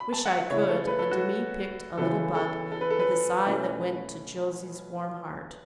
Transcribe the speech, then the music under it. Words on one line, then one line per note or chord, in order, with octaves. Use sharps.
'Wish I could!' and Demi picked a little bud, with a sigh that went to Josie's warm heart.
B5
A5
F#5
E5
C#3 A3 E4 C#5
A4
B4
A4
F#4
C#3 E3 B3 E4 A4
A4
A4
B4
A4
B4
B2 A3 C#4 E4